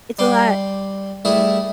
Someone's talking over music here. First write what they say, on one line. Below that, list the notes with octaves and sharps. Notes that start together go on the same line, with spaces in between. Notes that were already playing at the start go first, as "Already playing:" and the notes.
it's a lot
G3 G5 C6 D6
G3 A3 E4 G#4 B4 E5